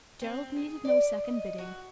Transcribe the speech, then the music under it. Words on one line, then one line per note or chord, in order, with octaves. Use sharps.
Gerald needed no second bidding.
C4
G#4
D5
D#5
F#4